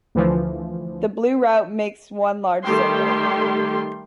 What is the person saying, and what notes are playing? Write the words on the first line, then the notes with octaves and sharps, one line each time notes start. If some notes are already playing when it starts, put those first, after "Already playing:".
The Blue Route makes one large circle.
D2 E3 F3
D#3 G3 A3 G4 G5 C6